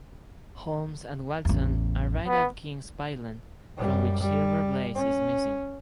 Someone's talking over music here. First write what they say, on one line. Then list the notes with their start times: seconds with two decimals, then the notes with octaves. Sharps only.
Holmes and Watson arrive at King's Pyland, from which Silver Blaze is missing.
1.45 A1 E2
2.27 B3
3.77 F#2 G3
4.20 G3
4.95 C#4